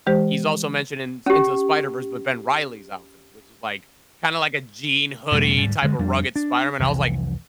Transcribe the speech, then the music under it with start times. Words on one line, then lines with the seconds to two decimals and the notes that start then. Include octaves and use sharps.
he's also mentioned in s into the Spider-Verse, but Ben Reilly's outfit, which is, like, kinda like, a jean, hoodie type of rugged Spider-Man, I was like
0.06 E3 G#3 G4 C5
1.26 C#4 G4
5.31 E2 B2 G3 A3
5.58 D2 G#2 G3
5.82 G2 D3 G#3
5.99 F2 G3 D4
6.36 D4
6.79 F1 C2 E3